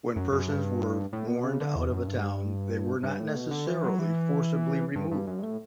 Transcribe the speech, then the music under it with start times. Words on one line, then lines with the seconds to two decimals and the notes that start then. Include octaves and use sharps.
When persons were warned out of a town, they were not necessarily forcibly removed.
0.16 F#2
0.32 F#2
0.49 G2
1.13 A2
1.27 B2
1.44 C#3
1.60 D3
1.76 E2
1.92 F#2
2.08 G2
3.03 G2
3.20 A2
3.36 B2
3.51 D3
3.67 E3
3.84 F#3
3.99 E3
4.95 G2
5.11 G2
5.27 F#2
5.39 G2
5.43 A2